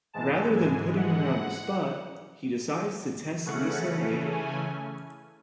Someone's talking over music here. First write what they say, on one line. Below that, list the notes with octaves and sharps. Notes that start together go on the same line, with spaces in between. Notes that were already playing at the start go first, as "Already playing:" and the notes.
Rather than putting her on the spot, he decides to test Lisa later.
G#2 E3 G#3 A5
G#5
F#5
C#3 E3 A3 C#4 F#5
G#5